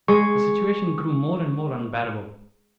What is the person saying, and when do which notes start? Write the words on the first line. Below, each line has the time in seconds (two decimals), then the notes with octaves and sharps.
The situation grew more and more unbearable.
0.08 G#3 C#6